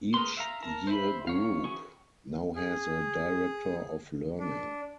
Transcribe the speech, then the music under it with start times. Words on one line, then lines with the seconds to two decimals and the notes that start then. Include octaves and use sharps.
Each year group now has a Director of Learning.
0.14 G#4 A#4 B4 C6
0.37 E5 F5 A#5
0.62 A#4 A5 A#5
0.87 C5 E5 B5
1.27 D#3 C#5 F5
1.64 E3 C#4 F#4 G#4 C#6
2.55 G#4
4.39 D4